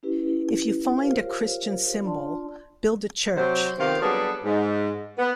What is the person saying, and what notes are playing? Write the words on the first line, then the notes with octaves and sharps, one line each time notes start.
If you find a Christian symbol, build a church.
C#4 E4 G4 B4
F4 G4 A#4 C5 C#5 F5
D4 F4 D5 A5 C6
C3 F#3 C5
C3 D#3 B3 F4 G4 F5
F#3 G3 B3 D4 G#4 A4
G#2
B3